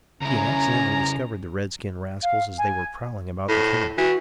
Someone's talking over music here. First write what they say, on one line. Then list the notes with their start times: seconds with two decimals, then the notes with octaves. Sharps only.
He had accidentally discovered the red skin rascals as they were prowling about the camp.
0.22 C#3 C#4 E4 A#5
2.21 F5
2.58 G#5
3.49 A2
3.98 E3 F#4